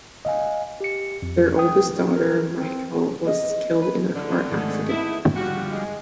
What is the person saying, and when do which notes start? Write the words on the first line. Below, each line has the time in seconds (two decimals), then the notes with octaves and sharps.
Their oldest daughter, Michal, was killed in a car accident.
0.25 D#5 F5 G#5
0.81 G4 C#7
1.22 F2
1.58 G5 D#6
2.14 A#4
2.52 C4
3.27 D#5
3.82 B4
4.15 A2 D3
4.52 G#2 D#3 A3
4.89 A3 B3 D#4 E4
5.37 D3 F3 G3 F#4
5.71 G#3